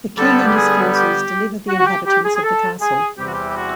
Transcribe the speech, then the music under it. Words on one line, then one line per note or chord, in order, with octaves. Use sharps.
The king and his forces deliver the inhabitants of the castle.
D3 G3 B3 A4
G4
G#4
G4
F#4
F#4
G4
G4
G#4
G#4
A4
G#4
E2 C3 E3 G3 C4 G4
F#4
G4
G4
F#4